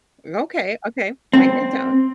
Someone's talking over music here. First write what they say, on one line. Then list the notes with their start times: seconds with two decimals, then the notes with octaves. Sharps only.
Okay, okay, writing it down.
1.33 C4